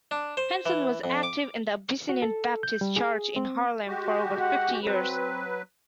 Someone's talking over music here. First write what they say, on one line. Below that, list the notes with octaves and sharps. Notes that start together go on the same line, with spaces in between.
Henson was active at the Abyssinian Baptist Church in Harlem for over fifty years.
D4
C5
E3
F2
D6
F#4
A4
G6
G3
G#4
C4
G#3 F#4 G4
F#5
F#3 C4 B4